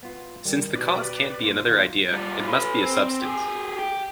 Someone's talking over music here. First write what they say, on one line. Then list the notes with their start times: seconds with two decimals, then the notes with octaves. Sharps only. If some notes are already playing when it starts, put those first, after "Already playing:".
Since the cause can't be another idea, it must be a substance.
0.03 B3 F4
0.45 D#3 G3
0.75 B2 G4 B4 D5
1.43 A#3 F4 D5
1.69 D#3 A#3 F#4
2.13 G3 F4
2.47 A4 B4
2.83 C4
3.22 G4 G#4
3.78 G4